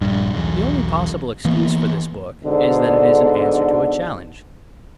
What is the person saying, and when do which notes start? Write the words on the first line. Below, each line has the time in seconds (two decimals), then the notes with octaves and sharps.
THE only possible excuse for this book is that it is an answer to a challenge.
0.01 A#1 G2
0.33 B1 E2
1.45 E3 A#3 B3
2.43 G#2 B2 D3